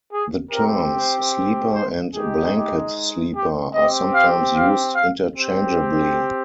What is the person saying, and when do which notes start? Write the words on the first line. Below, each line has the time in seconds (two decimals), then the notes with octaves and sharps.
The terms "sleeper" and "blanket sleeper" are sometimes used interchangeably.
0.11 G#4
0.51 C4 G4 A#4
0.92 C5
1.72 C5
2.12 G#3 D#4 G4 G#4
2.53 G4
3.33 G4
3.73 C4 G4 D#5
4.14 F5
4.55 F5
4.95 F5
5.34 C4 G4